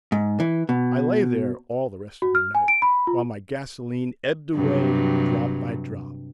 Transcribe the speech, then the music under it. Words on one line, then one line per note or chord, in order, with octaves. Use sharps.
I lay there all the rest of the night, while my gasolene ebbed away drop by drop.
G#2
E3
B2
F#4
F6
G#5
D7
B5
F4
G2 C3 F#3